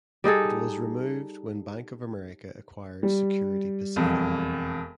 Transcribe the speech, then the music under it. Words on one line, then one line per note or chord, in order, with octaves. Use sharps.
It was removed when Bank of America acquired Security Pacific.
G3 D#4 G#4 A4
G3
E1 F2